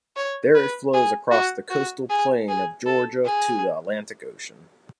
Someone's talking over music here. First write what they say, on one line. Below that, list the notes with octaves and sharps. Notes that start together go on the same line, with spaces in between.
There it flows across the coastal plain of Georgia to the Atlantic Ocean.
C#5
B4
G#4
F#4
F#4
G#4
G#4
A4
G#4